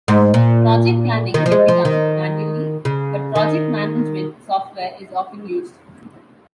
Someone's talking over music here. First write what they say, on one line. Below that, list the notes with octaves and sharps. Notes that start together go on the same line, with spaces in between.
Project planning can be done manually, but project management software is often used.
G#2
A#2
D#3
F3
G#3
F3
D#3
C#3
D#3